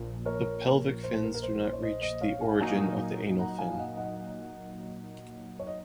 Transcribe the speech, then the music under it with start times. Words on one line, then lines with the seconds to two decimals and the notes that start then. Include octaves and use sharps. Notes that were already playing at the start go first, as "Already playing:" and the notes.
The pelvic fins do not reach the origin of the anal fin.
Already playing: A#1 A#2 F3
0.25 A#4 C#5
1.03 C5
1.23 A#4
1.34 A#4
1.43 C5
1.63 C5
1.73 C#5
1.82 C5 D#5
2.02 C5 D#5
2.21 C#5 F5
2.41 F5 G#5
2.60 A#2 F#3 A#3 D#4 F5 G#5
3.39 F#5 A#5
3.58 F5 G#5
3.72 F5
3.78 D#5 F#5
3.97 D#5 F#5
5.59 C#5
5.67 D#5